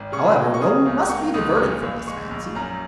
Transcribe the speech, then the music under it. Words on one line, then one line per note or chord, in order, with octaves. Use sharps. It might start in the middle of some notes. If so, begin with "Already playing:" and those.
However, Raoul must be diverted from this fancy.
Already playing: G#1
C#3 C#6
A#3
C#6
C#3 D#6
C#2
A#3 C#6
C#2 D#6
A#2
A#1
G#3 C#6
A#1
F#2 A#5